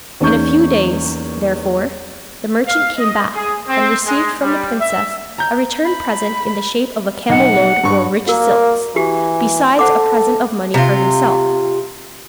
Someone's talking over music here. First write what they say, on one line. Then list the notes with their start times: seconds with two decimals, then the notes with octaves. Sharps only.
In a few days, therefore, the merchant came back, and received from the princess a return present in the shape of a camel-load or rich silks, besides a present of money for himself.
0.20 E2 A#3 C#4 D#4 C#6 G6
2.67 F5
2.97 D#5
3.35 G#4
3.68 C4
4.06 G#3
4.42 G3
4.80 E5
5.38 A#5 G6
5.83 B5
7.29 B1 F#5
7.84 G2 C#6
8.28 A#3 F#4 A#4
8.96 E3 F#4 G4
9.79 A4 C5 F#5 D6
10.74 C3 F4